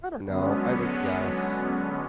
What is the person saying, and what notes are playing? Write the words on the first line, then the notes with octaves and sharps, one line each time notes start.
I don't know, I would guess
D3 F#3 G#3 B3 C#4